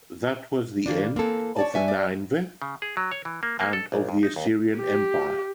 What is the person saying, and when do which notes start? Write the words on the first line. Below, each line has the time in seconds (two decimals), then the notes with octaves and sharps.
That was the end of Nineveh and of the Assyrian empire.
0.86 D#3 G3 A#3 D4 F4
1.16 E3 A#3 C4 A4
1.57 C#5 D5 A5
1.74 B4 E5 G#5
1.88 D5
2.62 C#3
2.82 G#4
2.97 F#3
3.12 C#5
3.25 E3
3.43 A#3
3.60 A#3
3.73 A4
3.92 A#1
4.09 F2
4.23 D#4
4.36 D#2
4.78 G4